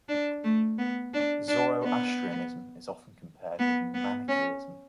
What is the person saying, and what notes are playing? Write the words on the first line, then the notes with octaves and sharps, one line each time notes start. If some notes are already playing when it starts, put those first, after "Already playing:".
Zoroastrianism is often compared with the Manichaeism.
D4
A3
B3
D4
D4
B3
B3
B3
C#4